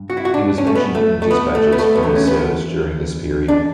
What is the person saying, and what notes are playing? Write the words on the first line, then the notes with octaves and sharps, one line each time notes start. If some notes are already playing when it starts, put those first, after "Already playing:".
He was mentioned in despatches for his service during this period.
Already playing: G2
F#4
E4
F#4
D4
C#4
A3
B3
A3
A3
B3
A3
B3
A3
B3
E2 D3 F#3 A3
C#4
B3
D4